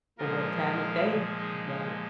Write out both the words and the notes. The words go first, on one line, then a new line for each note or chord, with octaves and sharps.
or what time of day, you know?
A#2 F3 G#3 F4 A#4
D#4 G#4
D#4 G#4